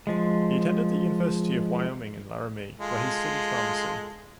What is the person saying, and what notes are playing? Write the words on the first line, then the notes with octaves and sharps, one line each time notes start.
He attended the University of Wyoming in Laramie, where he studied pharmacy.
F3 G#3
G#3 F4 A4